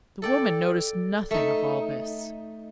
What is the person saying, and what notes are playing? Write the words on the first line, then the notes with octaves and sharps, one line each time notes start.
The woman noticed nothing of all this.
A4 D5 G5
A3 D#4